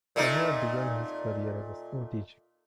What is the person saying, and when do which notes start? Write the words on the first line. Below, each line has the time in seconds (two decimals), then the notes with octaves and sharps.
Kabua began his career as a school teacher.
0.16 A#2 A3 D#4